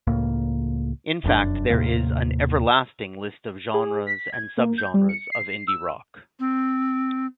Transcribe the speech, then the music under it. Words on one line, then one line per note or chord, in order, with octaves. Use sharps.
In fact, there is an everlasting list of genres and subgenres of indie rock.
C#2 A2 A#3
F1 F#2 A2 D4
D#2 A2 C3 A#3
G#4
B6
G#6
A#3
G6
G3
C#7
C7
E6
C4